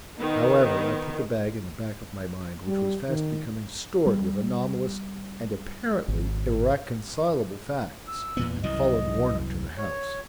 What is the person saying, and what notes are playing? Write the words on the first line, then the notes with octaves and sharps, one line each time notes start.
However, I put the bag in the back of my mind, which was fast becoming stored with anomalous and apparently irreconcilable facts, and followed Warner to the house.
D#3 B3
G3
D#3
G3
G#1
E6
E2 A#2 B3
C2 F#2 E3 D#5
C#5